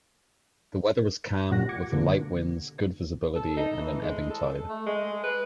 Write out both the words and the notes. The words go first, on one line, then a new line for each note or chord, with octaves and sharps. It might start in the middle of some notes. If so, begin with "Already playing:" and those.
The weather was calm with light winds, good visibility, and an ebbing tide.
A#2 F#4 G4 F#6 A#6
D6 G#6 C#7
D3 A#3
A4
D#4
E3
G#3
A4
A3
G#3
B4